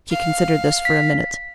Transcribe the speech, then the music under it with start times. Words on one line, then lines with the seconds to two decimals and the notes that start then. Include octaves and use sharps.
She considered this for a minute.
0.11 F5
0.85 B6